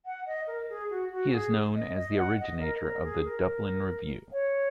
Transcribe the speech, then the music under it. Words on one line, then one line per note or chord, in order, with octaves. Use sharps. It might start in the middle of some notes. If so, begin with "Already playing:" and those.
He is known as the originator of the "Dublin Review".
F#5
D#5
A#4
G#4
F#4
F#4
G#4
D#5
D#5
F#5
D#5
A#4
A#4
G#4
A#4
C#5